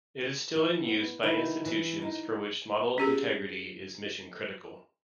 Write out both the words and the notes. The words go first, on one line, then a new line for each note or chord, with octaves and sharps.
It is still in use by institutions for which model integrity is mission critical.
E3
B3
D#3 D#4 E4 B4
E3
D#4
C#4 G4 G#4